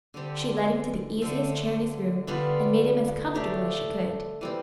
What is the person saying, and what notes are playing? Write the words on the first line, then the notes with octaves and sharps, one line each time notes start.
She led him to the easiest chair in his room and made him as comfortable as she could.
D3 G3 C4 G4
D3 A3 C4 F4
D3 G3 B3 F4
A3 D4 G4
E3 G3 C4